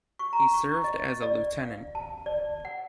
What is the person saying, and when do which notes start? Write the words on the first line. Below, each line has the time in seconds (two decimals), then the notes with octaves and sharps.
He served as a lieutenant.
0.19 C#6
0.33 A#5
0.54 C#6
0.84 D#5
1.22 D5
1.65 F5
1.95 A5
2.26 D5
2.65 F#5